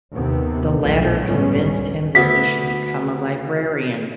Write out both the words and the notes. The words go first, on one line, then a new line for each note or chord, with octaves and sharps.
The latter convinced him that he should become a librarian.
D#2 C3 B3
B1 A#2 F3 A3
G1 C#2 A2 G3 B3 C#4
D2 B3 E5 B6